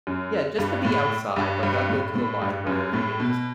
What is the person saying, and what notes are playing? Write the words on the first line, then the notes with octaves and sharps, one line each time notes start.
Yeah. Just to be outside, like, I'll go to the library and just
F#2
G2
A2
G2
G2
A2
A2
G2
F#2
A2
B2